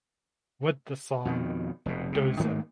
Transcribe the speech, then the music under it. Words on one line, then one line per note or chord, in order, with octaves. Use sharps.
With the song "Dozer".
F2 B2 D#3
F1 F2 B2
C#2 C3
G#2 D#3 A3 A#3